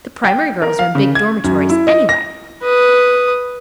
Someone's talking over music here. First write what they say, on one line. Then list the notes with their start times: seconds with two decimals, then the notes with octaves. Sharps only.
The primary girls are in big dormitories, anyway.
0.24 G5
0.62 A#4
0.79 F5
0.95 C#3
1.15 G#6
1.44 F#2
1.70 E4
1.87 D#5
2.09 A#6
2.63 B4 D#6